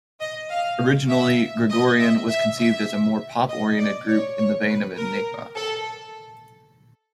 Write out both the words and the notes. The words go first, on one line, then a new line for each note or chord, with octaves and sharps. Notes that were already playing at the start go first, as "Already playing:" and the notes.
Originally, Gregorian was conceived as a more pop-oriented group in the vein of Enigma.
D#5
F5
E5
D#5
E5
E5
E5
D#5
D5
C#5
C#5
B4
A#4
A4